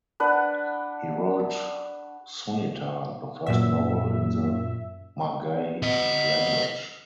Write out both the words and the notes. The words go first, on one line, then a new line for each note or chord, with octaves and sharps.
He wrote "Sunita" the first novel in the Magahi language.
D4 B4 F#5
F#2 A#2 E5
D#5 F#5